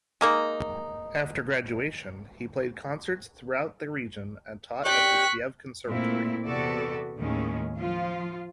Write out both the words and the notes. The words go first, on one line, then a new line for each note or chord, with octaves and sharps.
After graduation, he played concerts throughout the region and taught at the Kiev Conservatory.
G#3 A#3 D#4
G4 D5 G5 C#6 F#6 B6
A#2 A3 C4 E4
E2 C3 B3 F#4 A4 D5
D#2 A2 D#3 G#3 C#4
F3 F4